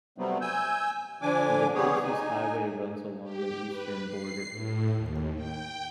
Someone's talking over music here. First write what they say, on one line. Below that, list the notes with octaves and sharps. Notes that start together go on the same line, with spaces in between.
The Princes Highway runs along the eastern border.
C3 F#3 G3 A3 B3 C4
G#5 E6 G6
D3 F3 D4 G#5 D6
G3 B3 G4 G#4 C#5
D#4 G#5
G4
B4
C7
A2
D#2
G5